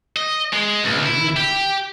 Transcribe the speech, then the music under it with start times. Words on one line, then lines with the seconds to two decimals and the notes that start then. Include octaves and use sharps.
I am here.'
0.16 D#5
0.53 G#3
0.84 C#2
1.06 E4
1.36 G4